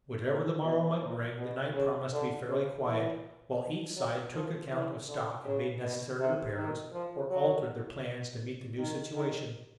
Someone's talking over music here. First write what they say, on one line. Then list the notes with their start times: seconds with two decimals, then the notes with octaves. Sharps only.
Whatever the morrow might bring, the night promised to be fairly quiet, while each side took account of stock and made necessary repairs, or altered their plans to meet the new situation.
0.27 A#2
0.63 B2
1.01 A#2
1.38 B2
1.74 C#3
2.12 D3
2.48 C#3
2.85 E3
3.96 F#3
4.34 F3
4.71 E3
5.08 D3
5.45 C#3
5.82 B2
6.19 C3
6.56 D#3
6.93 F3
7.30 F#3
8.78 D#3
9.15 D#3